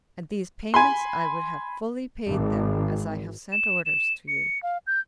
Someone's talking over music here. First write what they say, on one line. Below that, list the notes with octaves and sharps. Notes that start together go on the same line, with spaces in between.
And these payments I would have fully paid them, as I have sent orders to you.
G#5 B5 C6
G#1
E7
E7
C#7
F5
G6